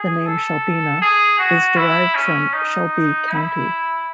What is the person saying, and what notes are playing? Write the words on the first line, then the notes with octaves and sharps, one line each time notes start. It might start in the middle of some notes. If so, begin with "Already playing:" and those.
The name "Shelbina" is derived from Shelby County.
Already playing: G#4
A4
G#4
F#4
E4
C#4
D#4
E4